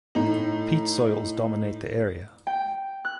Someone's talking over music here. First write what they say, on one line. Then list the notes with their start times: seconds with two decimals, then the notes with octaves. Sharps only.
Peat soils dominate the area.
0.15 A2 D#4
2.47 G5
3.05 F#6